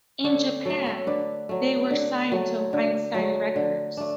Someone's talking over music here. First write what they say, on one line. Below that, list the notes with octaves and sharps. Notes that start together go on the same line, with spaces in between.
In Japan, they were signed to Einstein Records.
D3 A4 C#5
F#3 A3 F#4 A4
A4 C#5
D3 B4 D5
F#3 A3
D3
F#3 A3
D3
F#3 A3
D3
A3 D4